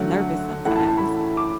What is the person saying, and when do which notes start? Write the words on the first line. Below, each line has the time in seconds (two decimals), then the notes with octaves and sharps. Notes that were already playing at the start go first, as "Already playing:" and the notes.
nervous sometimes.
Already playing: D3 F#3 A3 F#5
0.65 A2 E3 A3 E4 F#5
0.76 A5
0.87 A5
0.98 B5
1.37 D6